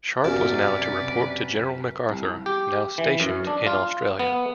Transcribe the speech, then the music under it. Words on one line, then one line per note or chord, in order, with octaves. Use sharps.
Sharp was now to report to General MacArthur, now stationed in Australia.
F#2 C3 B3 F#4 G4 B4 D5
C2
G4
E3
F#2
D4
F4
B3